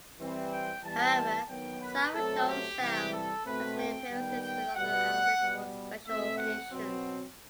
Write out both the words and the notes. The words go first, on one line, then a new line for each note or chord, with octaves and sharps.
However, Sourdough Sam has made appearances with other outfits for special occasions.
E3 G3 C4
G5
E3 G3 B3 A5
D#3 F#3 B3 G5
B4
B2 F#3 A3 C4 A4
G4
C3 E3 G3 G4
A4
B2 A3 C4 B4
G5
D#3 G3 B3 G5
G5
B2 G3 B3 F#5
B2 G3 B3
B2 A3 C4 E5
F#5
B2 F#3 C4